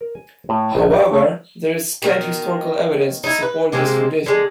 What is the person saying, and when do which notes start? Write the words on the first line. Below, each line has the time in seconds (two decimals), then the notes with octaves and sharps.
However, there is scant historical evidence to support this tradition.
0.01 A#4
0.15 G#5
0.49 A2
0.75 A#1
0.94 G4
1.11 A3
2.02 B2 D#3 A#4
3.24 D#4 E4
3.42 B4
3.72 C3 G#3 A#3 C4
4.26 D3 G#3